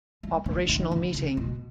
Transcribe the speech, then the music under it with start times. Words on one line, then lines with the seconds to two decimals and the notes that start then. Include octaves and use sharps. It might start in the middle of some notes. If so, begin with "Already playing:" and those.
Operational meeting.
0.23 G#3
0.46 D3
0.69 D#3
0.92 D3
1.14 C#3
1.37 B2